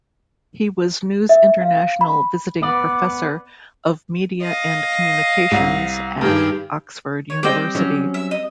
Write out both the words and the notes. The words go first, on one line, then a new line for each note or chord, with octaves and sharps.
He was News International Visiting Professor of Media and Communications at Oxford University.
E5
F5
B5
B3 D5
D#5 F5
C2
G2 D#3 G4 G#4 G5
C#5
G3 C4 D5 D#5 G5
F#3 C#4
E5
D#5